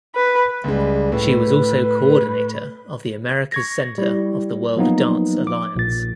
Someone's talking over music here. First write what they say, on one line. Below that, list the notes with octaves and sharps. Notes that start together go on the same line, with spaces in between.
She was also coordinator of the Americas Center of the World Dance Alliance.
B4
C#2 G3 G#3
A2 B4
C#6 G#6 A#6
G3 E4
F3 F#3 A#3 B3 D#4
D6
A#1 A#2 A6